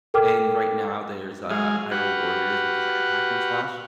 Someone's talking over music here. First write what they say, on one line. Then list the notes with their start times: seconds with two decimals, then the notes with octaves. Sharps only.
and right now, there's, uh, Hyrule Warriors, which is, like, a hack and slash.
0.14 A4 A#4 G5 D6 F6
1.50 F#3 G#3 G#4 F5
1.92 F#4 G4 B4 F5 F#5